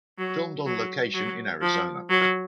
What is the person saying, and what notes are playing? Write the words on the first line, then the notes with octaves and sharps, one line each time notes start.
Filmed on location in Arizona.
F#3
F#3
F#3
F3
F#3